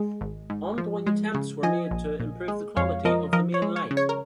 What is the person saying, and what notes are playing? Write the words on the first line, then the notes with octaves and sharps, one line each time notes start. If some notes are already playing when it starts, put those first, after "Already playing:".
Ongoing attempts were made to improve the quality of the main light.
Already playing: G#3
G#1
G#2
F3
G#3
C#3
F3 D#5 G#5
A#1
A#2
G#3
F2 C#5 F5
F3 A#4 D#5
F3 A#4 D#5
C#5
G#3
C#5
C#3
C#5
A#4